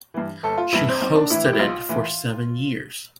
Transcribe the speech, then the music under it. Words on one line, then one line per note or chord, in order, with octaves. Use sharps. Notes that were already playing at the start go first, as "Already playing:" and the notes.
She hosted it for seven years.
G2 E3
G1 A4
F4
G2 E3 E4
C4
B1 C4
D4
A2 E3 E4
G4
E4
B1 F4
A2 E3